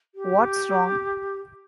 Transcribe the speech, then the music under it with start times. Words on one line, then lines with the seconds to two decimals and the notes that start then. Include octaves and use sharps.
What's wrong?
0.15 G4